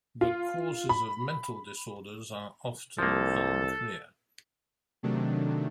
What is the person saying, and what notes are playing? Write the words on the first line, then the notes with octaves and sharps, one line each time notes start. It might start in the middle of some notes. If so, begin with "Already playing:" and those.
The causes of mental disorders are often unclear.
F4
B5
C2 F3 A#3 A4
C3 D#3 F#3 A3 D4